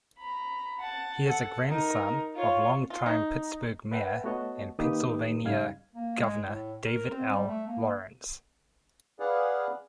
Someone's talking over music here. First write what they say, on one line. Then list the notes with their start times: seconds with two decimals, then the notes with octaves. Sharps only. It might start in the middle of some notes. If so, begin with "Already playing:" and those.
He is a grandson of longtime Pittsburgh mayor and Pennsylvania Governor David L. Lawrence.
0.18 A#5 B5
0.80 F#5 A5
1.24 A4 F#5
1.69 D#4 A#4
2.36 F4 C#5
2.90 F4
3.06 D#4
3.91 B4 E5 F#5 G5 A5
4.24 A3 B3 F#4 C#5 D#5 A5
4.79 D#3 A#3 D#4 G4 B4 D#6
5.43 G#2 C#3 G3 D#4 F5 G#6
5.95 A#3
6.20 G#3
6.47 A2
6.85 A#4
7.11 C4
7.30 G3
7.48 A3
7.67 A#3
9.20 G#4 B4 D5 F5 F#5